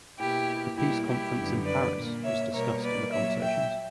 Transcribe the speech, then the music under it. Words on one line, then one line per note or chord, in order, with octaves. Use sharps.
The Peace Conference in Paris was discussed in the conversations.
B2 A#3 E4 G4
B2 G3 A#3 E4 G4
E4 G4
F#2 D3 G3 B3
B4 D5
A#2 A#3
C#5 E5
B2 G3 A#3 A#4 C#5
B4 D5
A#2 F#3 A#3 C#5 E5
E5 G5